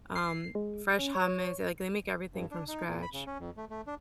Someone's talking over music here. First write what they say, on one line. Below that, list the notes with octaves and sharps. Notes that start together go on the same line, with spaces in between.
um, fresh hummus like, they make everything from scratch.
C7
G#3
C#4
C#5
G2
D4
D#4
A#2
B5
C#3
C#4
F2
A3
A3
D4